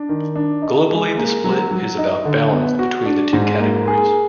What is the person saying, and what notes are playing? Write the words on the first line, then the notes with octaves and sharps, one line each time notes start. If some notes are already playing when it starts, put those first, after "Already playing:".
Globally the split is about balanced between the two categories.
Already playing: D4
D#3
D4
D#4
G#3
A#3
F#3
F#3
D#4
D3
B3
F#4
D4
G#2
A#3
G#4